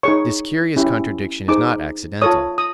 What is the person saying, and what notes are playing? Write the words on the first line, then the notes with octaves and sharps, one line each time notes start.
This curious contradiction is not accidental.
D#4 G#4 C#5 C#6
C#4 E4 G4
D#4 G#4 C5 D6
F4 A4 C#5 D#6
D#6